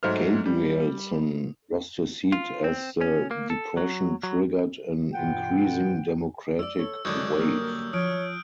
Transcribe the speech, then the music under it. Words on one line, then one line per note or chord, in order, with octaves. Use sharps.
Gabrielson lost his seat as the Depression triggered an increasing Democratic wave.
G#2 F#3 A3 C5 F6
G3
F4
C4
C#4
A#3
A4
F#3
F#3
G2 B2 E3 F4 F#5 G5
C#5 D5 E6
A4 C#5
F#2 D3 G#3 D#4 D#6 F#6 G6
G3 A#3 A#4
F3 C#5 D#6 F6 D7